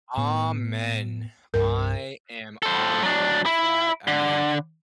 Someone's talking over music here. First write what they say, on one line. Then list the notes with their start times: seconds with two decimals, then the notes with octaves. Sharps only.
Amen. I am on board with that, I mean,
0.17 A2 B3
1.54 C2 G2 A#4
2.63 A4 C5
3.03 F#3 D4
3.46 E4
4.07 D3